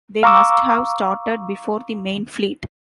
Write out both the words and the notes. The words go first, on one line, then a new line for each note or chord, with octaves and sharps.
They must have started before the main fleet.
F5 A#5 C#6 D6 E6